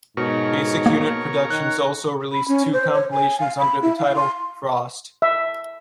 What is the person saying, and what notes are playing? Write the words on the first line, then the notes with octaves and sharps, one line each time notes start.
Basic Unit Productions also released two compilations under the title, "Frost".
G#2 B2 A#4 C#5
A#3
D#3 F#6
B5
C#4
C5
C#5
G#5
F5
B5
E4
F5
C6
E5